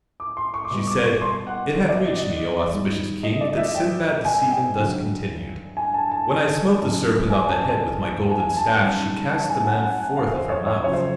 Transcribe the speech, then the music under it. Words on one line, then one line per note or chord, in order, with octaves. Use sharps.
She said, It hath reached me, O auspicious King, that Sindbad the Seaman thus continued:--When I smote the serpent on the head with my golden staff she cast the man forth of her mouth.
D6
C6
C#6
D6
B2 G3 C#6
D6
C#6
C6
F#5
D5
D#5
G#2 D#3 G3
D#5
D5
E5
G5
G#5
G5
G2 D3 F#3
G#5
A5
A5
F#2 D3 F#3
G#5
A5
A5
G#5
A5
F#2 D#3 G3
A5
G#5
F#5
F#5
F#5
F5
C5
C#5
C#5
F2 C#3 F#3 C#5
C5